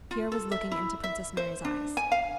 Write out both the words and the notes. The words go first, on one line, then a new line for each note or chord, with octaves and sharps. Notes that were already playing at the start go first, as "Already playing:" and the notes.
Pierre was looking into Princess Mary's eyes.
F4
A4
E5
E4
E5
C5
D4
G#5
F5